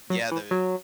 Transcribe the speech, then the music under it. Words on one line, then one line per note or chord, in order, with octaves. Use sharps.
yeah, the
F#3
E3
F#3